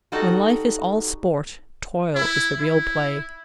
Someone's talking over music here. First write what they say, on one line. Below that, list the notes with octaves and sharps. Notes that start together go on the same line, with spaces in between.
When life is all sport, toil is the real play.
G3 D#4 F#4 A4 F#5
E4
E4